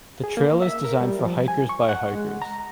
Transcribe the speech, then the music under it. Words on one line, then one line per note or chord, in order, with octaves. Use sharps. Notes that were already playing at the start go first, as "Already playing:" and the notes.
The trail is designed for hikers by hikers.
G#4
A#3
E5
A#4
G3
F3
G#5
C#6
F#5
G#3
A#5